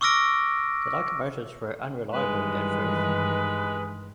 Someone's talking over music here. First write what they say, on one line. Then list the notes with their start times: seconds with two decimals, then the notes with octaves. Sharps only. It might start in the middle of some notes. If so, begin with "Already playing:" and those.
The locomotives were unreliable at first.
0.01 C#6 D6 E6 F6 A#6 D7
2.14 G2 D#3 E3 G#3 B4